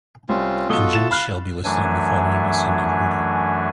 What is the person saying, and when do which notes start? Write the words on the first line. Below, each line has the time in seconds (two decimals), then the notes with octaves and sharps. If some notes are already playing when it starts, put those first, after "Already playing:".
Engines shall be listed in the following "ascending" order.
0.29 C2 C4 C#4 F4
0.69 B1 F4 F#4 A4 D#6 G7
0.93 E4 A6 E7
1.11 F5 B5 F6 F#6
1.64 F#2 E3 F#3 A3 D4 G#5